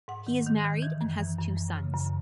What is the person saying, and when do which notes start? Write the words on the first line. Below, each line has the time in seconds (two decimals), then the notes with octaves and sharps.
He is married, and has two sons.
0.08 G#2 F#5
0.27 D#3
0.46 D#3
0.65 D#3
0.82 E3
1.01 F#2
1.20 E3
1.38 F#2
1.57 F#2
1.76 C#3
1.94 F#2